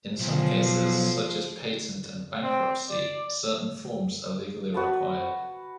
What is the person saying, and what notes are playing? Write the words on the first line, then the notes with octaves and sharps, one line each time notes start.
In some cases, such as patent and bankruptcy, certain forms are legally required.
B1 F3
C4
D5
F#4 B4 A5